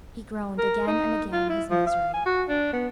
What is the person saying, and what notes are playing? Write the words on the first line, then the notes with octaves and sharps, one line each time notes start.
He groaned again and again in his misery.
A#4
D#4
F4
E4
F3
F5
G#5
F#4
D4
B3